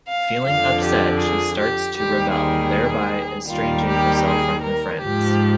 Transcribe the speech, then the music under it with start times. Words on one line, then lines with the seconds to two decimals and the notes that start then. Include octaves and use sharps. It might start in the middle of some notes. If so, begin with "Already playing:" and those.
Feeling upset, she starts to rebel, thereby estranging herself from her friends.
0.09 F5
0.46 F2 D3 F3 F5
0.85 G4
1.22 G#4
1.60 G4
1.98 D#2 D#3 G3 G4
2.36 G#4
3.50 D#2 D#3 G3 F4
3.88 G4
4.27 G#4
4.64 A#4
5.02 G#2 F3 G4